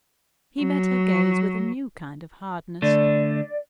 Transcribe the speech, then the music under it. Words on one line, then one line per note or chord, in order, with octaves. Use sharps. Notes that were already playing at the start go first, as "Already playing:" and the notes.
He met her gaze with a new kind of hardness.
F#3
D3 A3 D5